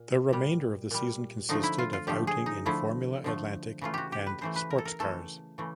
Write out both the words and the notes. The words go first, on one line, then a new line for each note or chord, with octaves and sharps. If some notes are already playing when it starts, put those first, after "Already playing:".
The remainder of the season consisted of outing in Formula Atlantic and Sportscars.
Already playing: A#2
A#2 G3
A#2 G3
D3 F3 A3 D#4
E4
F4
F4
D3 F3 A3 G4
G#4
D#4
D3 F3 A3 E4
D3 F3 A3
C#3 E3 A3 F4
F#4 G4
G4
B4
C#3 E3 A3 C5
B4
A#4
A4
A#4
C#3 E3 A3 A4
C#3 E3 A3